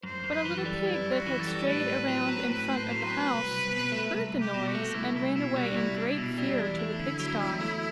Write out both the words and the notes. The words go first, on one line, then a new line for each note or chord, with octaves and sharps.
But a little pig that had strayed around in front of the house heard the noise, and ran away in great fear to the pigsty.
F#2 C5
F#2
B4
E3
A4
G3
F#2 E4
F#2
F#4
E3
A4
G3
A2 B4
A2
F#3
C4
A2 B4
A2
C5
F#3
B4
C4
C2
C2
B2
A3
C2
C2
G4
B2
F#4
A3
C2 E4
C2 E4
B2 E4
G3 F#4
C2 E4
C2 D4
B2 E4
G3 E4
D4
E2 E4
A3
D3
F#3
E2
A3